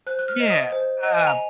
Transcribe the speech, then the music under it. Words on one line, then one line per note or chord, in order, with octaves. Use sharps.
Yeah, uh,
C5 F#6
F#6
F6
D#5
D#6
C5
D#5
G#5
A#5